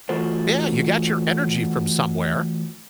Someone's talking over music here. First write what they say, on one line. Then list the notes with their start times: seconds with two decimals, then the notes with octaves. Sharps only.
Yeah, you got your energy from somewhere.
0.09 E3 A3 F4 F#4 A4 C5